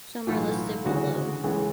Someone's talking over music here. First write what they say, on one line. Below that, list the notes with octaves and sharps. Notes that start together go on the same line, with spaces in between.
Some are listed below.
B1 A2 E3 F4
D2 C#3 E3 F#4
C#2 C#3 E3